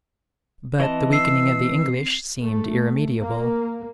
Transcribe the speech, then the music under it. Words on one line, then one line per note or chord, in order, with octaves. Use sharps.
But the weakening of the English seemed irremediable.
E3 C4 D#5 A5
E6 C7
A3
A#3